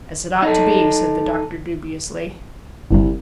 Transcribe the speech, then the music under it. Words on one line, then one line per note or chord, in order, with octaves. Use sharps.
"As it ought to be," said the doctor dubiously.
D#4 A4
G1 C2 G2